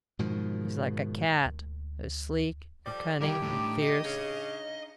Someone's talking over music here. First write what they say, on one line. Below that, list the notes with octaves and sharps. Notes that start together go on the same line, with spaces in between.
He's like a cat,--as sleek, and cunning, and fierce.
G#2 B2 D#3 F3
D2
F3 G3 A4 D5
E3 G3 E4 G4 A#4
A2 D4 D#4 D6
D#5
C#3